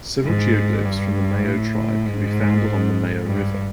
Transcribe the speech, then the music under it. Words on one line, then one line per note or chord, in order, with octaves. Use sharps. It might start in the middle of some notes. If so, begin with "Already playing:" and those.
Several geoglyphs from the Mayo tribe can be found along the Mayo River.
G#2
G2
A2
G#2
G2